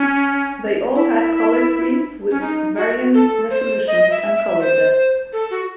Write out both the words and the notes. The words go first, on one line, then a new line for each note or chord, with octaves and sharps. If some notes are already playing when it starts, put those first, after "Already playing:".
They all had color screens with varying resolutions and color depth.
Already playing: C#4
E4
C#4
D#4
F#4
A4
C5
D#5
E5
E5
C5
A4
F#4